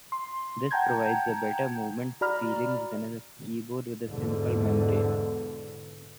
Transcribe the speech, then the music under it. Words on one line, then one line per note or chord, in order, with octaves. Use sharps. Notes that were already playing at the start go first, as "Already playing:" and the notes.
This provides a better movement feelings than a keyboard with a simple membrane.
C6
F#5 G5 A5 A#5 G6 G#6
F#4 D5 A#5 B5 F6
E2 G#2 B2 D3